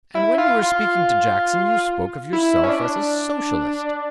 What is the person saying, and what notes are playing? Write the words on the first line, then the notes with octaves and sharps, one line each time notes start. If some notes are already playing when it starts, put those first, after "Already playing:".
'And when you were speaking to Jackson, you spoke of yourself as a Socialist.'
E4
F4
F4
E4
C#4
D4